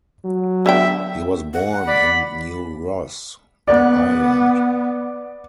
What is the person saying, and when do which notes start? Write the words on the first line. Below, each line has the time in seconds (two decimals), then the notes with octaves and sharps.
He was born in New Ross, Ireland.
0.24 F#3
0.66 D3 B3 E5 G5
1.53 F#5
1.87 D5 B5
3.68 B3 D5